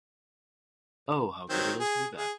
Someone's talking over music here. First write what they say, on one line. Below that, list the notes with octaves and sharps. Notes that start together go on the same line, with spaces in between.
Oh, how good it is to be back!
D#3 F#3 C4
G#4
G#4